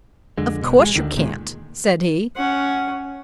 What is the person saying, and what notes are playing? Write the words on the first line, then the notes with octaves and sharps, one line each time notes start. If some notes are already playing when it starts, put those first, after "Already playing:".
"Of course you can't," said he.
F2 D3 G#3
B2
A1 G#3
D2 D3 D#3
D2 A#2 D#3 G#3
C#4 F#5